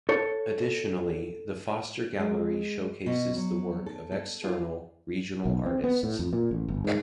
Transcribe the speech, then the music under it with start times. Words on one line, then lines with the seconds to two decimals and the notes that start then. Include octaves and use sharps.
Additionally, the Foster Gallery showcases the work of external, regional artists.
0.09 A4 C#5
2.19 G#3
3.06 B2
3.37 F#3
3.86 A4
4.12 A4
4.44 F4
5.45 B1
5.66 C4
5.84 B3
6.03 A2
6.19 F2
6.33 A#2
6.51 A1
6.68 G1
6.84 G#2